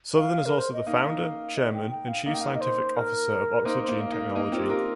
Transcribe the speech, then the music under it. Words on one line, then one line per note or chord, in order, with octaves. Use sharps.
Southern is also the Founder, Chairman and chief scientific officer of Oxford Gene Technology.
F5
A#4
C5
D#5
A#3 D#4 F5
D#5
G5
G5
F5
A#3 D#4 F5
G5
F5
D#5
C5
A#4
A#3 D#4 C5
C5
A#3 D#4
F5
A#3 D#4
F5
A#3 D#4 D#5
C4 F4
G4
F4 A#4